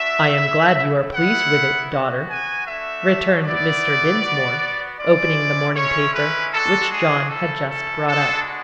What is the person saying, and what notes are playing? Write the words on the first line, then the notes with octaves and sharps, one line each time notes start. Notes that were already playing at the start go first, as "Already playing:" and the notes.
"I am glad you are pleased with it, daughter," returned Mr. Dinsmore, opening the morning paper, which John had just brought up.
Already playing: A3 D4 F#4 E5
A3 E4
B3 E4 F#5
B3 F#4
G#5
A3 D4 F#4 E5
B3 E4 D5
B3 F#4
G#3 C#4 E4 D5
G#3 C#4 E4 C#5
B4
G#3 D4 F#4 A4
G#4
A3 C#4 E4 A4
A4
G#3 B3 D4 F#4 A4